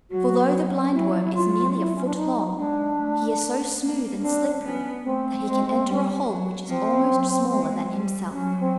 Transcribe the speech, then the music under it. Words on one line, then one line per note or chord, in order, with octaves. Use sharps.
For though the Blindworm is nearly a foot long he is so smooth and slippery that he can enter a hole which is almost smaller than himself.
F#3 F#4
F#3 E4
E4
F4
E4
C#4
D4
D#4
G#3 D4
A3
A3
A#3
C#4
C4 D4
B3 C#4
A3 C4
G#3
G3
F#3
F3 C4
F#3
G#3
G3
F#3 C#4
C4